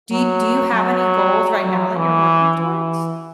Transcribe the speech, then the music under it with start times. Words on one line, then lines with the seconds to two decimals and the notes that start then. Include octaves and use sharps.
Do you do you have any goals right now that you're working towards?
0.12 F#3
0.74 F#3
1.65 F#3
1.97 E3
2.58 E3